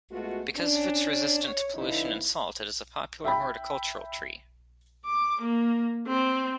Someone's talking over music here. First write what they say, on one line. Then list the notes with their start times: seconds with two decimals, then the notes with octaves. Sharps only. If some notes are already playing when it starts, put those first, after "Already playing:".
Because of its resistance to pollution and salt, it is a popular horticultural tree.
0.11 G#3 A3 B3 F4 F#4
0.55 C#4 D4
1.42 C#5
1.74 D3 F3 B3 C#4 D#4 E4
3.25 E5 G5 B5
5.05 D6
5.41 A#3
6.07 C4